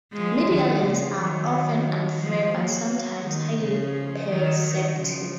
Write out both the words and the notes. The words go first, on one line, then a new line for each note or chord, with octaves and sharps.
Media Lens are "often unfair but sometimes highly perceptive".
F3 G#3
D#3 F#3
C#3 F3
D#3 F#3
F3 G#3
F#3 A#3
D#3
C#3 F3
D#3 F#3
D#3
C#3 F3